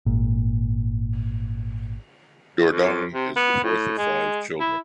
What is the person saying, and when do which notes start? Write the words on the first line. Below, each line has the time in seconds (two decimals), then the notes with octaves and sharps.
Dourdan is the fourth of five children.
0.06 G#1 A#2
2.68 F2
3.14 C3
3.36 B3
3.63 A2
3.98 G#3
4.60 E4